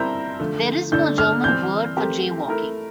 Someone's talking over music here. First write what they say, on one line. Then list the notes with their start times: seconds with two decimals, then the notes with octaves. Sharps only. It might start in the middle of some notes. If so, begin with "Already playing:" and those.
There is no German word for jaywalking.
Already playing: G3 C4 E4 A#4 A#5 G6
0.39 D3 F3 A3
0.92 D3 A3 D4 A4 G6
1.18 F6
1.44 E3 G3 C4 G6
1.96 A3 C4 G4 A#4
2.48 A3 E4 A#4